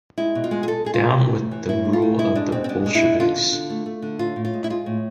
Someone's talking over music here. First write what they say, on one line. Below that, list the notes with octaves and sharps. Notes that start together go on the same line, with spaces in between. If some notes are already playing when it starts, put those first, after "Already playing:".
Down with the rule of the Bolsheviks!
G#3 E4
B2
F4
G#3
G#4
G#3 A4
G#3 G#4
F4
G#3
E3
A2
E3
A2 E4
A3
F4
A2
G#3 E4
G#3 D4
B2 C4
C4
G#3 D4
G#3
E4
B2
D3 F4
D3
D3
A3
A3
D3
A2 F4
A2
F4
G#3
E4
G#3 F4
A2